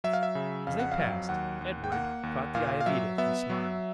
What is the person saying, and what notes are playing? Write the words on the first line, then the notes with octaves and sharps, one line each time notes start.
As they passed, Edward caught the eye of Edith, and smiled.
F#3 E5
F5
E5
C#3
F2 F5
F#5
F5
F#3
D#2 F#5
D#2
G5
A#3 F#5
D#2
A#2 F5
F5
F#3 E5
B3 E5
F#3